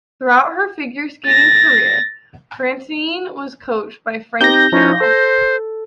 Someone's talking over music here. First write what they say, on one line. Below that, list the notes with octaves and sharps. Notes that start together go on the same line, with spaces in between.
Throughout her figure skating career, Fratianne was coached by Frank Carroll.
A6 A#6
C4 D#4 G4 G6 A#6
F3 C#4 D#4 E4
A4 C5